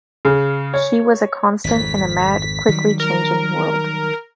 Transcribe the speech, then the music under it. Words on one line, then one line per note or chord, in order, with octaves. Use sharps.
She was a constant in a mad, quickly changing world.
C#3
C#5
G#1 F2 B6
D#3 F#3 G3
A#4